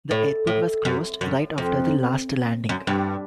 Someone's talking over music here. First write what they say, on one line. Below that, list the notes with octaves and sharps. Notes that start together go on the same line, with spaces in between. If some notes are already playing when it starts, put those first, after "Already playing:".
The airport was closed right after the last landing.
A2
A2
F#2
F#2
F2
F#2
G2